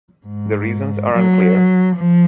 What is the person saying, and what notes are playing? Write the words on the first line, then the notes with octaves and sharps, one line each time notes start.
The reasons are unclear.
G#2
F#3
F3